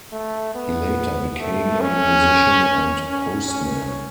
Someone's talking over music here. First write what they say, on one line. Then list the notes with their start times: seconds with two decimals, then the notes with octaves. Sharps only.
He later became a musician and postman.
0.12 A3
0.55 B3
1.40 A3
1.81 C#4
3.09 C#4
3.50 C#4